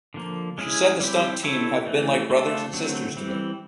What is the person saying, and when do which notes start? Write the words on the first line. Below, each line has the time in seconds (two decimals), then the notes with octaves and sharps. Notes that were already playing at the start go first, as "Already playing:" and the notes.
She said the stunt team "have been like brothers and sisters to me".
0.14 D3 F3 A#3
0.58 G#3 C#4 E4 G#4
1.00 G3 C4 E4 G4
1.43 C4 E4 A4 C#5
1.87 E3 A3 C4
2.30 A3 D4 F4 A4
2.73 D3 F#3 A3 C4
3.17 E3 G3 C4